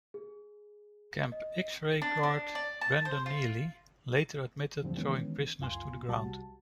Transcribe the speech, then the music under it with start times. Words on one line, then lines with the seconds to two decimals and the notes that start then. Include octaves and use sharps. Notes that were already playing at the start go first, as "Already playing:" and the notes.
Camp X-Ray guard Brandon Neely later admitted throwing prisoners to the ground.
0.14 G#4
1.32 D#5
2.02 D4
2.23 D4
2.55 D5
2.81 A5
3.05 C5
3.26 F4
4.82 E2 A2 D3 F3 G3 C4
4.97 D#3 E3 G#3 B3 C#4
5.59 C#2 F#2 F4 G#5 C6
6.08 C2 G3 F#4 A5